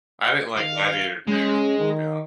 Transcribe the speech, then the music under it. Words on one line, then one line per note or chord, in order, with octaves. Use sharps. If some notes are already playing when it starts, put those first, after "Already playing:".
I didn't like Gladiator II, I'll be honest.
D#3 F5
G#3 C#4
D#3